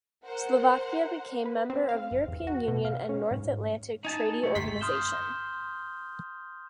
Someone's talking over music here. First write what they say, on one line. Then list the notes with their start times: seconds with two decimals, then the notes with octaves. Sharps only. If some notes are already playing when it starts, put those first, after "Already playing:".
Slovakia became member of European Union and North Atlantic Treaty Organisation.
0.24 A#4 C5 F#5
1.45 B4
1.70 C4
1.89 F5
2.11 G1
2.28 E2
2.47 F#4
2.68 B2
2.85 F5
3.09 C#4
3.31 G#2
4.05 D#4 G#5 A5
4.43 C3 A3
4.55 G1 C6 B6
4.81 C6 D#6 F6 G6 E7 G7